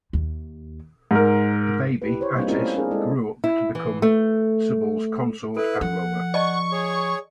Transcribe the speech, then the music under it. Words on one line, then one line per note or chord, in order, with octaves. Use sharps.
The baby, Attis, grew up to become Cybele's consort and lover.
D#2
G#2 A#4
E4 G4 B4
C5 C#5
G3 A#3 C4 D4 D#4
A3 C4 C#4 E4 F4 A#4
C4 D4 G#4 A#4
G#3 C4 D#4 E4 A4
E4
E3
A3
E4 A4 B4
F3 F#5
D5 D#5 A5 C#6
G#4 C#5